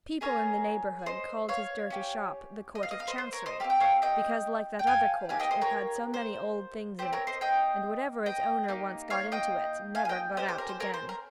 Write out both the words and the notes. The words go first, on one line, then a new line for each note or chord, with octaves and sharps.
People in the neighborhood called his dirty shop the "Court of Chancery," because, like that other court, it had so many old things in it and whatever its owner once got into it never got out again.
C#4 G#4 A#4 C#5
C5 D#5
C#5 F5
C#4 G4
D#5
F5
D#5
F5
C5 D#5
C5
A#4 C#5
C5 D#5
C4 G4 F5
G5
C#5 F5
D#5 G5
G5
F5 G#5
A#3 D#4 G4 F5 G#5
D#5 G5
C5 D#5
A#4 C#5
C5
C4 G4 C5
A#4 C#5
C5 D#5
D#5 G5
D#5 G5
A#3 D#4 G4
C#5 F5
D#5 G5
F5 G#5
G#5
D#5 G5
C#4 G4 C5 D#5
C5
A#4
C5
A#4 C#5
C5
A#4